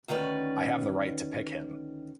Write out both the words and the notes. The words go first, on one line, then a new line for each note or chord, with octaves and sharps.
I have the right to pick him.
D2 D#3 C#4 B4 D5